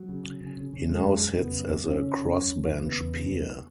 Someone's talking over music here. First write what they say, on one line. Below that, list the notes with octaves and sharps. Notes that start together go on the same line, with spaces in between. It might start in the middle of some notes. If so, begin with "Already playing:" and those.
He now sits as a crossbench peer.
Already playing: F#3
C#3
C#3
C#3
C#3
C#3
F#2 G#3
F#2
F#2
C#3 B3
F#2
F#2
F#2 C#4
C#3
C#3
F#2
F#2
F#2
C#3 B3
E2
C#3
E2